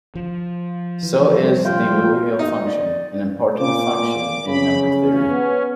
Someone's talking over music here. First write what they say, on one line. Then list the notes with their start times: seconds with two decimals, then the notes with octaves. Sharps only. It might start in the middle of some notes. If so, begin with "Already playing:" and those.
So is the Liouville function, an important function in number theory.
0.15 F3
1.03 E3
1.37 G3
1.65 F4 G5
2.39 D#4
2.64 D5
3.57 A#2 D6
4.47 C#3 B5
4.97 C#4
5.30 B3